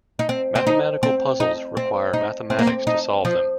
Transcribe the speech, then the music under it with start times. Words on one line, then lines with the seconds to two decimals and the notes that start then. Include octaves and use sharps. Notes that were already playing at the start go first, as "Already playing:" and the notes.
Mathematical puzzles require mathematics to solve them.
0.19 D#4
0.29 C4
0.55 C4
0.67 D#4
1.03 C4
1.40 D#4
1.77 C4
2.13 D#4
2.50 C4
2.59 A#3
2.67 C4
2.87 D#4
3.25 F3